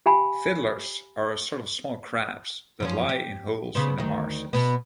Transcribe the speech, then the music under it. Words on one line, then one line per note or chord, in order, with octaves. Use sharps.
Fiddlers are a sort of small crabs, that lie in holes in the marshes.
G4 F5 G5 G#5 B5
F#2 F3 C#4
G4
C#3 B3 C5
D2 D#3
B2 B3